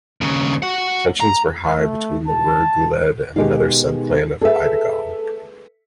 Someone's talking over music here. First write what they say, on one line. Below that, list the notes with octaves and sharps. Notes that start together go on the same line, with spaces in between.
Tensions were high between the Rer Guled and another subclan of Eidagale.
D#2 C#3
F#4 F#5
A#5
A3
A5
B2 D#3 G#3 G4 F5
G#4 A4 B4 E5